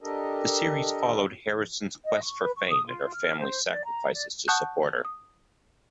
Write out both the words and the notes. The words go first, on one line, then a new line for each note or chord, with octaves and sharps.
The series followed Harrison's quest for fame and her family's sacrifices to support her.
D4 G4 A4 A#4 D#5
D#5
C#6
B4
C#6
D#6
F4
F6
C5
D5
A#5
D5
F#5 A5 C#6 D#6 F#6 G6
D#6